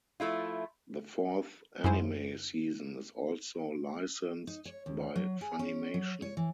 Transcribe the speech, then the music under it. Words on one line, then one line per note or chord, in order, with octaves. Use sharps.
The fourth anime season is also licensed by Funimation.
F3 A3 E4 F4
F#2 E4 G#4 C5
D#4
C#5
D#2
F#3
G#4
C#4
F#3
C#5
E3